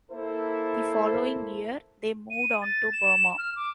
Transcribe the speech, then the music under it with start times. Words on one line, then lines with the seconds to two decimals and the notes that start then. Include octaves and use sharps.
The following year, they moved on to Burma.
0.11 A#3 E4 A4 C5
2.30 D#7
2.62 A6
2.93 E7
3.38 F6
3.56 D6